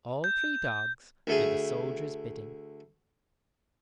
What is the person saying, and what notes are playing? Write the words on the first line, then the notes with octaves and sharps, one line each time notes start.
All three dogs did the soldier's bidding.
G6
D2 A3 G#4